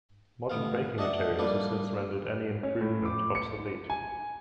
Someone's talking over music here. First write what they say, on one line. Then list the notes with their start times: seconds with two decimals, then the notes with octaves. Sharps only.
Modern braking materials have since rendered any improvement obsolete.
0.50 A1 B3 F5
0.98 D4 D#5 E5 F#5
1.39 G3 A#3 D4 B4
2.63 C#4
2.81 A2
3.05 D6
3.35 C#7
3.90 G#5